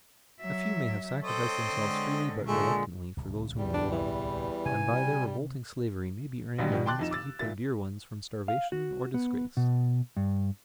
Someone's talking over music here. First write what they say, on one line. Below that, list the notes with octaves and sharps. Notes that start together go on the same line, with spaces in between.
A few may have sacrificed themselves freely but reluctantly for those whom they love, and by their revolting slavery may be earning the means to keep their dear ones from starvation or disgrace.
F#3 E5
C4 A4 C#5 D#5
D3 G#3
A#2 D3 G#3 A3
D1 C2
E2 G3
D4
E3
C3 C#4 G#5
G3
A#1 D#2 B2 D3 F#3 G3
B2 D#3 F3 G3
G5 A5 C6 D6 F#6 A6
F2 D#4 E7
D6 E6 A6
A#2 E4 A6
F5
F#4
B3
B2
G2